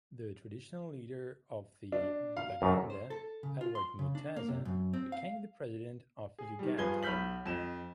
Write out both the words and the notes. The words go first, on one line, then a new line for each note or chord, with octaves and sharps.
The traditional leader of the Baganda, Edward Mutesa, became president of Uganda.
D4
F5
F#2
C5
A4
C#3
F4
C6
C#3
D4
A#3
C3
F#2
C4
F5
G#4
D#3 G3
G2 F3 G#4 B4 G#6 G7
B1 B5 F6 G6 B6 F#7
F2 D#5 E7